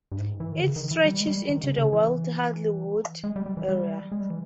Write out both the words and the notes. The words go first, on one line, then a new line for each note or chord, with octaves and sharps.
It stretches into the wealthy Hadley Wood area.
G2
G#2
E3
D#3
C#3
D#3
E3
G3
G#3
G3
D#3
C#3
C#3
E3
G#3
G3
G3
E3
G3
G#3
G3
E3